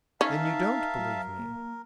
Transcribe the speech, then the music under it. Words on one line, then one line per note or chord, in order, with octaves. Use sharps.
"Then you don't believe me?"
C#4 D#4 A#4 E5 F5 A5
F#3
A#3